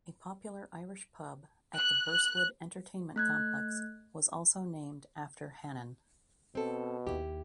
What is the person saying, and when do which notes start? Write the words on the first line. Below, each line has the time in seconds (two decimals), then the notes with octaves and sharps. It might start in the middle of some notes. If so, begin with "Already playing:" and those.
A popular Irish pub at the Burswood Entertainment Complex was also named after Hannan.
1.76 F#6
2.10 F#6
3.16 A3 F#6 G#6
6.55 B2 C4 A4
7.07 D#2 E4 G4